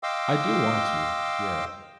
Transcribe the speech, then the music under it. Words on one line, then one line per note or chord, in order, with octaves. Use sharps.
I do want to, yeah,
D#5 F5 G5 C6 D6 E6